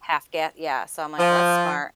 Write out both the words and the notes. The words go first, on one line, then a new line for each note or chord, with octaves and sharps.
half ga Yeah, so I'm like, "Well, that's smart.
F3